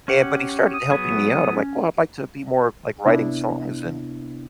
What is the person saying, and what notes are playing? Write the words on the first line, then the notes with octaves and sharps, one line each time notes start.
and but he started helping me out. I'm like, "Well, I'd like to be more, like, writing songs and
C#4 G4 F#5
D#6
F#3 B3 G#4
C#4
C3 B3 D4 E4